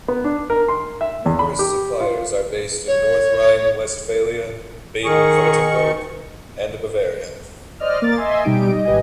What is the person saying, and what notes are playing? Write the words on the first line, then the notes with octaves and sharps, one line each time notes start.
Numerous suppliers are based in North Rhine-Westphalia, Baden-Württemberg and Bavaria.
B3
D4
A#4
C6
E5
E2
B5
G4
F4
C#5
D#3 G#4 A#4 C#6
C5 D5 D#5 F6
A#3 A#4 D6 A6
D#5 E5 G#5 C6
B2 G3 D#4 G4 D7
D#5
G#1 G4 B4 D#5 G#5